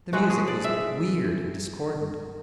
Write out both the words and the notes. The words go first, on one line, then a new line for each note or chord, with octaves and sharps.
The music was weird and discordant.
G#2 F3 G#3 F#4
G#4
D5
E5